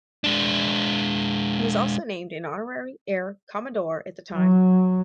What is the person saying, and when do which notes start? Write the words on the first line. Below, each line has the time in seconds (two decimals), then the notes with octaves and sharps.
He was also named an honorary air commodore at the time.
0.24 G#3 D4
4.33 F#3